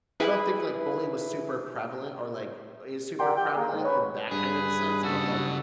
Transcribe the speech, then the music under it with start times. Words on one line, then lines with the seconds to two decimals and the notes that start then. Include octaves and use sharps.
I don't think, like, bully was super prevalent or, like, is super prevalent in that kind of a sense, but, like,
0.20 E4 G#4 B4
3.19 G4 A#4 D5 F#5 G5 C6
3.36 G5
3.55 A#3 G#4
3.72 G#2
3.84 B4 C#5
4.31 G2 G#4 B4
5.04 C#3 F#4 A4